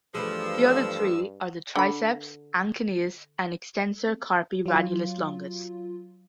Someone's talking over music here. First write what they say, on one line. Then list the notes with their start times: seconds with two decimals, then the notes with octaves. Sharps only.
The other three are the triceps, anconeus, and extensor carpi radialis longus.
0.15 G2 E3 F3 A3 G#4 E6
1.76 D3 B5
4.66 F#3 F4